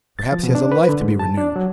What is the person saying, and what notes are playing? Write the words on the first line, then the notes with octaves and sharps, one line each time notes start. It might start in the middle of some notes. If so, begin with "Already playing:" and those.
Perhaps he has a life to be renewed.
A6
F3
B2
D4
B4
D3
G#2
A5
D4
F#3